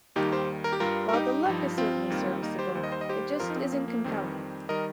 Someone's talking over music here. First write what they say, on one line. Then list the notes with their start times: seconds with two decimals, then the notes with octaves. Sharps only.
While the look is certainly servicable, it just isn't compelling.
0.16 D#2 D#3 G3 D#4 G4
0.32 G4 C5
0.64 A#4
0.73 G4
0.80 G2 G3 F4 A#4
1.09 A#4
1.13 D#4 G4
1.45 G2 F3
1.78 C4 F4
2.10 D#2 D#3 G3
2.42 A#3 D#4
2.59 G4 C5
2.75 D#2 D#3 G3 C5
2.83 D#5
2.92 C5
3.01 D#5
3.09 G4 C5
3.36 C5
3.40 F2 F3 F4 A#4
3.50 D#4
3.56 C4
3.72 A#3
3.88 A#3
4.04 F2 D#3 G3 C4
4.69 D#3 G3 A#4 D#5